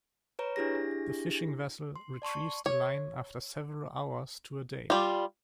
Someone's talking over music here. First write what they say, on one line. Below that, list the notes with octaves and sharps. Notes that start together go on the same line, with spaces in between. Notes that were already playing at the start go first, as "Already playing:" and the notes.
The fishing vessel retrieves the line after several hours to a day.
B4 C#5 A#5
D4 E4 G4 G#4 A#6
C6
D5 A5 C6 C#6
C#5
G3 F4